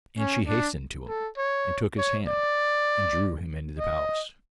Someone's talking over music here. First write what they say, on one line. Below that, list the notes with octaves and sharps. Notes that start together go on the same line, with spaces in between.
And she hastened to him, and took his hand, and drew him into the palace.
C#4
D4
A4
C#5
C#5
D5
D#5